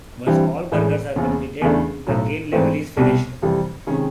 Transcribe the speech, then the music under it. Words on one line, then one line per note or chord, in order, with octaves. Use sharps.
Once all burgers are completed, the game level is finished.
G2 E3 G3 C4
A1 A2 E3 G#3
F#1 E2 C#3
E2 C#3 E3 A3 D4
B1 A2 F#3
G#2 E3 A3 C4
C2 B2 G3
F2 C3 E3 G3
C3 D#3 G#3 C#4